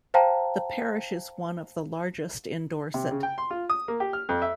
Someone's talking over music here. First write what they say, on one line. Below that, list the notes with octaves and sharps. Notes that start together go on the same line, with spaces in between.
The parish is one of the largest in Dorset.
C5 F5 G5 A5 A#5
C3
C#3
G5
C6
F4
D#6
A#3
G4
F6
F2
E5